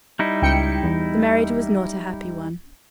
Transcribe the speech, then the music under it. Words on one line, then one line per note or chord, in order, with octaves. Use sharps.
The marriage was not a happy one.
G3 D#4 E4
C#2 G5 C#7
E2